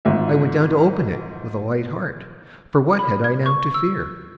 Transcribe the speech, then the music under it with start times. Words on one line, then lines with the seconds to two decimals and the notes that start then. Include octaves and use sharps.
I went down to open it with a light heart,--for what had I now to fear?
0.05 G#1 G#2 F4 E5
2.99 B5
3.24 G#6
3.46 C#6
3.74 E6